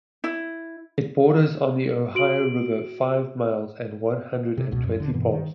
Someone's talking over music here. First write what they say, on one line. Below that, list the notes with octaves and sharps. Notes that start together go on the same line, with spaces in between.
It borders on the Ohio River five miles and one hundred and twenty poles.
E4
F#4 D7 F#7
C3
C#2 B2
F#2 F3
D#1 D3
G2 B2 E3
D#3